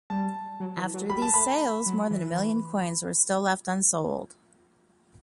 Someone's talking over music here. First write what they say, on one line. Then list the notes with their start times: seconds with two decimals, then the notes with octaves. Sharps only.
After these sales, more than a million coins were still left unsold.
0.10 G3 A5
0.60 F#3
0.77 E3
0.94 F#3
1.10 G3 B5
1.22 A5
1.34 A3 B5
1.86 F#3
2.10 E3